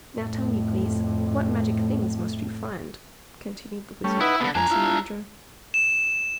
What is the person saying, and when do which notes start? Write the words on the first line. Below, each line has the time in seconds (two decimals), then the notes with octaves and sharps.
"Now tell me, please, what magic things must you find?" continued the Wizard, addressing Ojo.
0.16 F2 A2
4.04 G3 A3 C#4
4.21 D#4 E4 B4 F#5
4.40 B2 D3 B3
4.55 F2 D4 G#5 A#5
4.71 E4 F4
5.74 E7